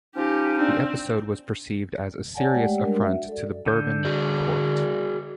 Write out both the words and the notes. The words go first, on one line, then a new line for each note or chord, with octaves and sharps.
The episode was perceived as a serious affront to the Bourbon court.
F3 C#4 D#4 G4
C4 D4
C#5 D5 F#5 G#5 A5
G#3 A3 G4 D5 F#5 G5
G3 G#3 D4 A#4
F#4 E5
A4 D5
D3 G6
F#4 G#4 D5